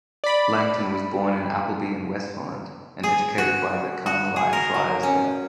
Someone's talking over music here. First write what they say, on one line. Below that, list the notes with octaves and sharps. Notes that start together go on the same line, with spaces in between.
Langton was born in Appleby-in-Westmorland, and educated by the Carmelite friars there.
D5 B5
G#4
F#4
F#4
G#4
A#4
F#3
C#4